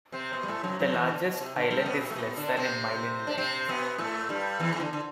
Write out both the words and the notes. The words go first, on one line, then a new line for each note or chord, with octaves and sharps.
The largest island is less than a mile in length.
C3 C4
B2 B3
G3
A2 A3
F#2 F#3
F#2 F#3
E2 E3
D3
B2
C3
D3
G2 G3
B2 B3
B2 B3
A3
B2 B3
D3 D4
C3 C4
D4
C3 C4
B2 B3
A2 A3
G2 G3
E2 E3
E3
D3
D3